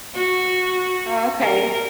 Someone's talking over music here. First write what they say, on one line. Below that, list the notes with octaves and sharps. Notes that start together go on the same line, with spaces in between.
Oh, okay.
F#4
A#4